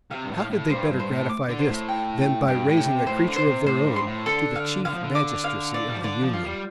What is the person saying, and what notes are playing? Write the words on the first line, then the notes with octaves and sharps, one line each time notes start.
How could they better gratify this, than by raising a creature of their own to the chief magistracy of the Union?
C3 F5
G2
A2
F5
A2
G2 C5
G2
C5
A2
D6
D3
C5
C3
A2
G5
G5
G2 G4
A2
G5
C3
A2 C5
D3
C5
C3
A2 C5
G2
C6
A2
D3 A4
F5
D3 F5
F3
D3
D6
F5
D5
G3
F3
D3 D5
F3
F4
G3